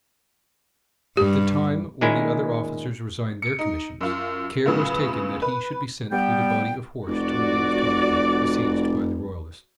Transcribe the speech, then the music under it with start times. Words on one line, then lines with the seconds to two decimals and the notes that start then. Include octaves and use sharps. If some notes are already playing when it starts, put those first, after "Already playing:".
At the time when the other officers resigned their commissions, care was taken that he should be sent with a body of horse to relieve Taunton besieged by the royalists.
1.17 G2 G4
2.01 A#2 D#3 G#3 C#4 E4
3.42 C#7 D7
3.59 D#4
4.01 F#2 F4
4.66 A2 C#3 F#3 B3 E4 F4
5.42 B4
6.11 G3 B3 G5
7.07 F1 F#4 D5